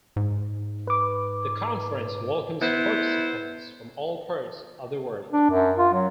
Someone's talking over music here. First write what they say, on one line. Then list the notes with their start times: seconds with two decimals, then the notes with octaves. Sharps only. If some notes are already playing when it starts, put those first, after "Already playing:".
The conference welcomes participants from all parts of the world.
0.16 G#2
0.87 B4 D6
2.61 B3 E4 C5
5.33 D4
5.50 F#2
5.78 F4
5.93 F#3